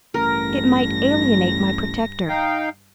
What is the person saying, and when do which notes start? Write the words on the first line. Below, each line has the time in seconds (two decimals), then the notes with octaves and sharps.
It might alienate my protector.
0.14 A1 G2 A#4 A#6
2.28 D#4 F5 G5